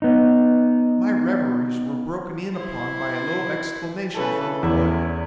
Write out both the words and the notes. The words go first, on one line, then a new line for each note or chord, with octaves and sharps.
My reveries were broken in upon by a low exclamation from the boy.
B3 D#4
E4 C5
C#3 E3 A3 A4 B4
E2 E4 A#4 D5 E5